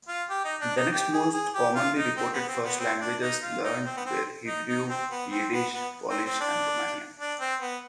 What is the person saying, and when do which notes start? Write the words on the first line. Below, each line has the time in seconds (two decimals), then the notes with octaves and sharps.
The next most commonly reported first languages learned were Hebrew, Yiddish, Polish and Romanian.
0.08 F4
0.30 G4
0.45 D#4
0.61 D4
0.77 D#4
0.93 G4
1.13 G#4
1.34 G#4
1.55 G4
1.75 F4
1.97 D#4
2.17 C4
2.33 B3
2.48 C4
2.65 B3
2.80 C4
3.01 D4
3.22 D#4
3.43 F4
3.64 D#4
3.85 C4
3.97 B3
4.06 C4
4.47 D#4
4.68 D#4
4.90 C4
5.11 B3
5.32 C4
5.51 B3
5.73 B3
6.10 C4
6.25 C4
6.40 D4
7.19 D4
7.40 C4
7.62 B3